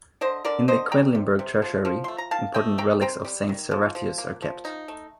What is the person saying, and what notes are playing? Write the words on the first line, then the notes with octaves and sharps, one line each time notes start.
In the Quedlinburg Treasury important relics of Saint Servatius are kept.
D3 C5 D#5
D3 A#4 D5
D3 C5 D#5
G3 G5 A#5
C3
C3
F3
F3
C6
A3
A#5
D#3 F5 A5
A3 D#5 G5
D#3 G5 A#5
C4 G5 A#5
G3
D#3
F3
F3
A#3
F3
D#4
A3